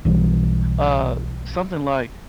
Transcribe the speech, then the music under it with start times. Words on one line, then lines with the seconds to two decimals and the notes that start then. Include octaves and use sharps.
uh, something like,
0.05 B1 B2 E3 G3